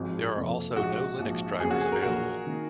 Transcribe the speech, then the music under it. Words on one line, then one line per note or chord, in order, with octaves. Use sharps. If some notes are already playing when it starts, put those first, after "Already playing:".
There are also no Linux drivers available.
Already playing: G#1 G#2 F3 G#3 C4
F#1 F2 C3 F3
A#1 A#2 G#3 F#4
A#1 G#2 F3
F#1 F2 C#3 F#3 A#3 G#4
F#4
G#4
A#4
A#1 A#2 F#3 F#4
D#3 A#3